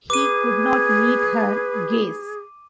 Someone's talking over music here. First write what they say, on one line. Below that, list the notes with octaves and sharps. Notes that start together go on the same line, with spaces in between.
He could not meet her gaze.
G#4 B4 D6 D#7